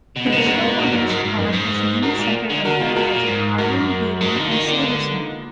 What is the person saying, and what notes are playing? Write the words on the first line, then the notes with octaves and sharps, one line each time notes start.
Traditional Malaysian art was mainly centred on the areas of carving, weaving, and silversmithing.
B2
G#3 B3
D3 A#3
B2 G#3 B3
A#3 D4
A#2 F#4 A#4
G#2
F#2 D#4 F#4
G#2 F#4 A#4
G#2
F#2 G#4 B4
G#2
G#2 F#4 A#4
A#2 F4 G#4
D3
D3 F#4 A#4
B2 F4 G#4
B2 F#4 A#4
A#2
G#2
G#2 F#4 A#4
F#2
G#2 F#4 A#4
D3 D#4 F#4
D#3 D4 F4
D#4
D3 A#3 D4
G#3 B3